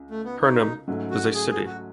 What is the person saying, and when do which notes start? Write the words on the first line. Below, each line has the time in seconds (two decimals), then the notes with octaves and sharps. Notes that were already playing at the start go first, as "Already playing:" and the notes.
Pernem is a city.
Already playing: C#2
0.11 A3
0.25 B3
0.41 D#4
0.88 G#2 F#3 A3 C#4
1.11 F#4
1.34 G#4
1.50 G#4
1.66 F#4